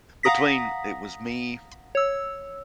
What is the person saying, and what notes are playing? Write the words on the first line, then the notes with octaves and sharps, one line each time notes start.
between it was me
F5 F#5 A#5 D#6 A#6 B6
C#5 E6